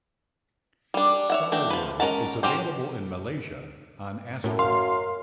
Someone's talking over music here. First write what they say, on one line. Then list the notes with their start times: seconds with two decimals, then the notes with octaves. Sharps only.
Star World is available in Malaysia on Astro.
0.94 G3 D4
1.30 C#5 E5 F#5
1.52 A3 D4 F#4 G5
1.70 F3 B4
2.00 G#3 C#4 A#4 F#5 A5
2.43 C4 C#4 F#4 G4 C5
4.44 F#2 A2
4.59 F5 C6